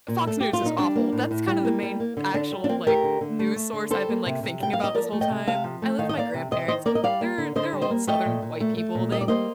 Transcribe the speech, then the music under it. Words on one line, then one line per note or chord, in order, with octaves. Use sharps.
Fox News is awful, that's kind of the main actual, like, news source I've been like thinking about this whole time. I live with my grandparents and they're they're old southern white people, they
A#2
A3 A4
A3 G4
F4
A#2 D#4
G3 D4
A#3
A2
A2
G3
A#3
G3
A#3
D3
D3 D4
G3
D4
A#3 C4
A3 G4 A#4
D3
D3
A3
A3
D3
G3 A4 C5
A#3
C3
C3
G3 G5
A#3 F5
D#5
F3 A#4 D5
A3
D#5 G5
C3
C3 F5 A5
F3
A3
D#3 F5
D#5
A#3 D5 F5
C3
C3 C5 D#5
D#3 C5 D#5
A#3 A#4 D5
D#5
G3 D5 F5
A#3
D3
D3 C5 D#5
G3
C5 D#5
A#3
A3 D#5 G5
A#2
A#2
A3
A3
A#2
G3 D#5
D5
A#3 C5 D#5